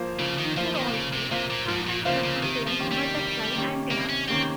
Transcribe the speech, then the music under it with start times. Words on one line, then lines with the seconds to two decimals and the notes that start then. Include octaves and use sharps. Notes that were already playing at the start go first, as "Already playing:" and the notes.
These are also sometimes referred to as butterfly antennas.
Already playing: F3 A#3 F4 C5 F5
0.19 C#3 F3
0.38 D#3
0.57 F3 A#3 F4 C5 F5
0.75 D#3
0.87 C3
0.93 C#3 F3
1.13 C3
1.31 C3 A#3 F4 C5 F5
1.50 A#2
1.68 G#2 F3
1.87 A#2
2.05 C#3 A#3 F4 C5 F5
2.24 C#3
2.43 C3 D#3
2.68 F3
2.79 D#3 A#3 C#4 G4
2.92 G3
3.17 C3
3.54 D#3 A#3 C#4 G4
3.91 C3 A#3
4.09 C#4
4.28 D#3 A#3 C4 C#4 G4